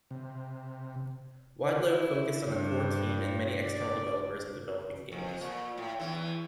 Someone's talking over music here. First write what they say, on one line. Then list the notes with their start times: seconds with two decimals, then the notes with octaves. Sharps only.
Wideload focused on a core team and many external developers in developing games.
0.11 C3
1.81 E4
2.46 G2
3.62 D5
5.12 F2
5.41 A#2
5.77 A2
6.00 E2 G2 E3